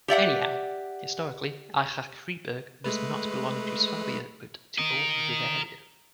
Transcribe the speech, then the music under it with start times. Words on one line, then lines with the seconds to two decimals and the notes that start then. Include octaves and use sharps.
Anyhow, historically Aichach-Friedberg does not belong to Swabia, but to Old Bavaria.
0.08 G4 D5 E5 F#5
2.84 G#3 A3 B4
4.78 A#4 D#5